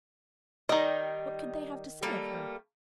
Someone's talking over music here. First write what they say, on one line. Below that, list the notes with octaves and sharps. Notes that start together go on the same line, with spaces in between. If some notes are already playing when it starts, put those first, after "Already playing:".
What could they have to say of her?
D#3 G3 D#4 D#5
G3 A3 A#3